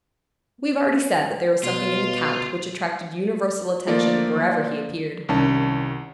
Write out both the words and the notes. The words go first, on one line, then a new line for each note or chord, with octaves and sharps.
We have already said that there was something in the count which attracted universal attention wherever he appeared.
B2 F4
F3 A3 A#3 F4 D5
C2 D#3 C#4 A5